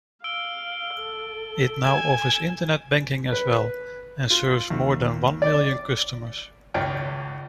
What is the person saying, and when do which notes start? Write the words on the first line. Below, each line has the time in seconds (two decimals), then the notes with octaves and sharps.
It now offers internet banking as well and serves more than one million customers.
0.24 F5 E6 D7 G7
0.96 A4
1.85 G#5 E7
3.32 B4
4.30 F4
4.70 D#2
5.42 D5
6.74 G#1 C#2 C#5 E5 G5 F6